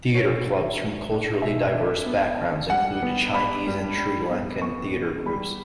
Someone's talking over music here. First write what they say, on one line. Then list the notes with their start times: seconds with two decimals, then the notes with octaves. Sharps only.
Theatre clubs from culturally diverse backgrounds include Chinese and Sri Lankan theatre groups.
0.14 B2 C#5
0.46 F#3
0.79 D4
1.10 D4
1.42 B2 E5
1.74 D4
2.06 B3
2.38 D4
2.70 G3 F#5
3.02 B3
3.34 D4 B5
3.67 G3
3.98 G3
4.30 B3
4.62 B3 C#6
4.94 B3
5.26 G3 B5